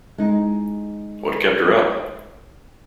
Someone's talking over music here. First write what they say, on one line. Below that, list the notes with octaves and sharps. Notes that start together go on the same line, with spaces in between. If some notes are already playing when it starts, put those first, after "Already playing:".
What kept her up?
G#3 D#4